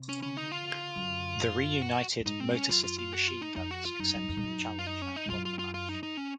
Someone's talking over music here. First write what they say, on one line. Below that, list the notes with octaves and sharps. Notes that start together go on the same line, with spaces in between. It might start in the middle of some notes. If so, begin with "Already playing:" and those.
The reunited Motor City Machine Guns accepted the challenge and won the match.
Already playing: C3
C#4
C#4
D#4
F4
F#2
F#4
F#2
G#2 D#4
C4
C#4
F#2 F4
F4
F4
F#4
F4
D#4
F2 D#4
F#4
F4
F#2 D#4
F#2
F2
G#2
F#2
F4
D#4
C#4
D#4
G#2
F#2 F4
F4
F4
F4
D#4
D#4
C#4